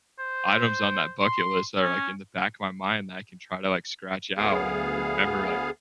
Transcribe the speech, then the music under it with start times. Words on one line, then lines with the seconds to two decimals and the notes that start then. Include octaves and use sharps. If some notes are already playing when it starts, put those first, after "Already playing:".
items on that bucket list that are, like, in the back of my mind that I can try to, like, scratch it out and remember, like,
0.19 C5
1.20 C6
1.82 C#4
4.38 D2 B3 G#4 F5